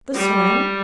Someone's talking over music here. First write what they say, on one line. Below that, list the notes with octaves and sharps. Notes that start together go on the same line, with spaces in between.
The soil.
G3